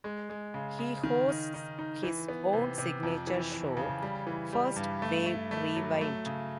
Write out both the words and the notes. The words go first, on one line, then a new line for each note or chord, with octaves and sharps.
He hosts his own signature show "First Wave Rewind".
G#3
G#3
C#3
C#3
D#3
D#4
D#4
D#4
E3
B3
C3
C3
F2
E3
E3
C#3
G3
E3
G3
G2
A3
A3
A3
F#3
A3
C#3